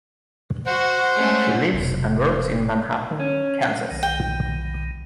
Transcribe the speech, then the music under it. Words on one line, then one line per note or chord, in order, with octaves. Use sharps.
She lives and works in Manhattan, Kansas.
F#4 C5 F#5
G#3 A3 C#4
F1 B2
C#4
B1 D#3
G5